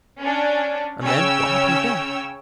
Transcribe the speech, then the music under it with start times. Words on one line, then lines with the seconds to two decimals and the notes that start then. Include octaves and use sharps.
"And then? What happens then?"
0.22 C#4 D4
1.03 C#3 C#4 C#5 G5 E6